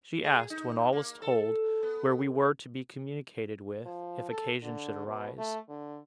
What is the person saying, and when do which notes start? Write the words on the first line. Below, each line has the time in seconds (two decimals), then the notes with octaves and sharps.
She asked, when all was told, where we were to be communicated with, if occasion should arise.
0.24 G#4
0.50 D#4
0.93 A#3
1.22 A4
1.83 B3
3.86 F3
4.30 A4
4.63 D3
5.06 B2
5.38 A3
5.69 D3